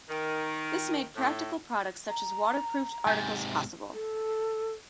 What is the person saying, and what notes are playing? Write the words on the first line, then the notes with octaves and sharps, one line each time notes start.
This made practical products such as waterproofed articles possible.
D#3
A2
A#5
G#2 C3 G#5 G6 A6
A4